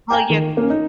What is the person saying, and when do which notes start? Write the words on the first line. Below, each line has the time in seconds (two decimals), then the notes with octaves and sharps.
Well, you're
0.11 G5 G#5 A#5
0.30 D#3
0.57 A#3 C#4
0.70 D#4